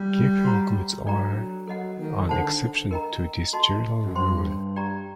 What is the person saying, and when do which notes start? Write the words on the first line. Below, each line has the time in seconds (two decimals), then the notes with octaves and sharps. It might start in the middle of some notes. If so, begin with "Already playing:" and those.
Giffen goods are an exception to this general rule.
Already playing: G3
0.44 F#4 C5 F#5 A#5
1.06 F#3 D4 A4 D5 G5 A#5
1.37 F#3
1.67 F#3 A4 D#5 F#5
1.99 D#3
2.29 D3 D4 A4 C5 F#5 A5
2.91 A#4 D#5 G5 A#5
3.53 F#4 A4 D#5 A5 C6
4.06 F#2
4.15 G2 G4 C5 G5 C6
4.76 G4 D5 G5 A#5